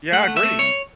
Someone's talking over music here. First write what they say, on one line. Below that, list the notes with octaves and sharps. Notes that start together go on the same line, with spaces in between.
Yeah, I agree.
A3 F#5
A3
E5
A3
C2 C#5